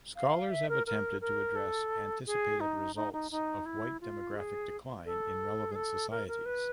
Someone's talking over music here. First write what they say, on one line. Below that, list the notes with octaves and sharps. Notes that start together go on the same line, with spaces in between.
Scholars have attempted to address anticipated results of white demographic decline in relevant societies.
F5
E5
A#4
A#4
A#4
A4
G#4
D#4
D#4
D#4
D#4
E4
F4
G#4
A4
G#4
A4
A#4
A#4
B4